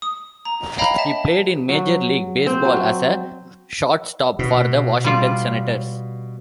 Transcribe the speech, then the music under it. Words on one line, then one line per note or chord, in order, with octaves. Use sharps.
He played in Major League Baseball as a shortstop for the Washington Senators.
D#6
A#5
C#5 D#5 F5 G5 A#5 B5
E5 A5
F#3
C4
F#3
B2
G3 F4 D5